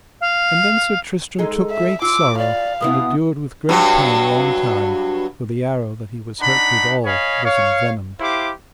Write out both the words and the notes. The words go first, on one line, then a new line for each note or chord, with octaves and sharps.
And then Sir Tristram took great sorrow, and endured with great pain long time, for the arrow that he was hurt withal was envenomed.
F5
G#3 D#4 A4
E5
F4 D6 E6
D5 F5
B2 B3 E4 D#6
G2 F#3
D4 D#4 F#5 A#5 B5
C#5 D#5 F5 G#5 B5
C#5 F5
E4 G4 C5 F5 D6